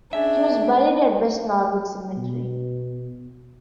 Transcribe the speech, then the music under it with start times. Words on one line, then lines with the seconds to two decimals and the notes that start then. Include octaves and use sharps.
He was buried at West Norwood Cemetery.
0.13 C#4 D4 G#4 E5 G#5
2.17 B2